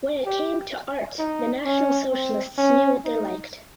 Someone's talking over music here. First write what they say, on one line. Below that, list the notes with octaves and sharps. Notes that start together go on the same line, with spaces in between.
When it came to art the National Socialists knew what they liked.
G4
D#4
C#4
C4
C#4
D#4